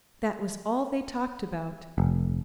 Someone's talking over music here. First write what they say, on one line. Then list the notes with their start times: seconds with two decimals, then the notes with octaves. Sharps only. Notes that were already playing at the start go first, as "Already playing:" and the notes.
That was all they talked about.
1.98 F1